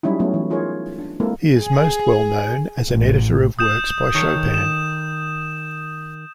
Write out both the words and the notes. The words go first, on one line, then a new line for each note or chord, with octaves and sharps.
He is most well known as an editor of works by Chopin.
F#3 G3 C#4 D#4 E4
F#3 A3 B3 C#4 E4
E3
D#4 F4 G#4 A#4 C#5
D4
G#3 A#3 C4 E4 A4
G#4
A1
D#6 G6 E7
D#3 A4 C#5
E7